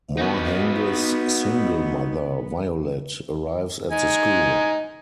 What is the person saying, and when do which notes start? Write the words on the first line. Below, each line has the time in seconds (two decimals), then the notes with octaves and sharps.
Morhange's single mother, Violette, arrives at the school.
0.18 B3 D#4 F#4
3.91 D#4 G#5